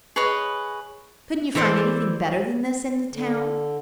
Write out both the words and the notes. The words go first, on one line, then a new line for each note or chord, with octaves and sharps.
Couldn't you find anything better than this in the town?
G#4 B4 C#5 D#5
E3 A4 C5 D5
D3